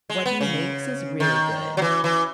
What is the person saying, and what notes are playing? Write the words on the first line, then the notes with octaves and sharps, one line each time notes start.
what he makes is really good.
G#3
B3
C#3
D#3
F#3
E3
E3